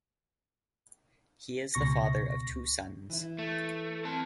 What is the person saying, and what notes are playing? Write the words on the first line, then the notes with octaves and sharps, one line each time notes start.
He is the father of two sons.
C#2 B2 C#6 A#6
E3 E4
A3
C4 A5